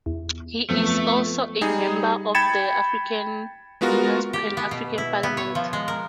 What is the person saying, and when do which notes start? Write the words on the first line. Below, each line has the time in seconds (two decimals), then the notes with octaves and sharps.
He is also a member of the African Union's Pan-African Parliament.
0.06 E2
0.70 F#2 F3 F#3 A3 B3 C4
1.61 G3 D#4 G#4
2.35 G5 B5 G#6 A6 C#7 E7
3.81 G#3 B3 F4 F#4 A#4
4.33 G4
4.57 B3
4.71 B2
4.98 E4
5.23 B3
5.37 C#5
5.55 F3
5.73 G#3
5.88 A#4